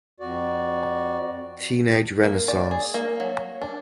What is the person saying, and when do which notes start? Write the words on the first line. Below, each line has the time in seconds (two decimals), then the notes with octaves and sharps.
Teenage Renaissance!
0.20 F2 F#4 D5
2.23 A#3
2.48 D5
2.71 G#4
2.94 A#3
3.20 F#3
3.62 D4